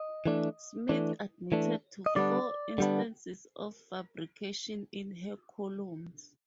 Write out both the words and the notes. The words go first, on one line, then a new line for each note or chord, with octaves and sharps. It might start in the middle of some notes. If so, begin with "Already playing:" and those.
Smith admitted to four instances of fabrications in her columns.
Already playing: D#5
E3 A3 D4
E3 A3 D4
E3 A3 D4
D#5
D3 G3 B3 D4 D5
D3 G3 B3 D4